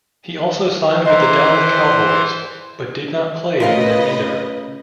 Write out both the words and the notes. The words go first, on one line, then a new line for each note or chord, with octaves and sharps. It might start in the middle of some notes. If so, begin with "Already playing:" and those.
He also signed with the Dallas Cowboys but did not play for them either.
E3 C5 D#5 A#5
C#3 A3 F4 A#4 B4 D#5 F5